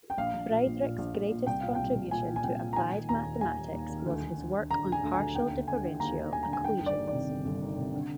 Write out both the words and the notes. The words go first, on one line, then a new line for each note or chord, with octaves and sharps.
Friedrichs' greatest contribution to applied mathematics was his work on partial differential equations.
G5
A#1 F5
A#1
A#2
A#1
A#2
A#1
A#1
A#2
C2 G5
A#2 F5
C2 G5
C2
A#2 G#5
A#2
G#5
C2 G5
A#2
A#5
D#3 G#5
D#3
D#2 A#5
D#2
D#2 G#5
D#2
D#2
D#3
D2
D2
D3
D3
D3 A#5
D3
G#5
D2
G#5
D2
D#2 G5
D3
D3 G#5
D3
D#2 A#5
D#2
D3 G#5
A#5
D3 G#5
D#3 G5
G1
D5
D#3
D5
C3
G1
G1
D#3
C3
D3